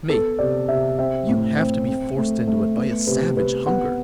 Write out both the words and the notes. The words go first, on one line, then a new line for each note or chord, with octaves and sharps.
ME: You have to be forced into it by a savage hunger.
B3 A4
C3 D5
C3 E5
C4 E5
A2
C4
C4
A3
A3
B3
C3 B4
C3 B4
B3 F#5